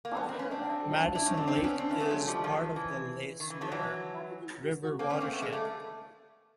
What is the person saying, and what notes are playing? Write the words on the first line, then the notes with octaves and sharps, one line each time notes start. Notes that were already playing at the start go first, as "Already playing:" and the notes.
Madison Lake is part of the Le Sueur River watershed.
A#3
B3
C4
C#4
C4 D4
D4 E4
C#4 D#4
C4 D4
C4 D4
B3 C#4
C4 D4
B3 C#4
A3 B3
F#3 G#3
F3 G3
D#3 F3
E3
D#3
E3
D#3 F3
E3 F#3
A#3 C4
B3 C#4
A#3 C4
A3 B3
G#3 A#3
G3 A3